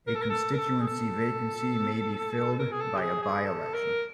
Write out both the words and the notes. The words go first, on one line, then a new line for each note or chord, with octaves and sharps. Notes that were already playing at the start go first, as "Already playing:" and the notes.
A constituency vacancy may be filled by a by-election.
A#4
A4
A#4
A4
A#4
A4
G#4
A4
A#4
G#4
A4
G4
G#4
G#4
A4
A#4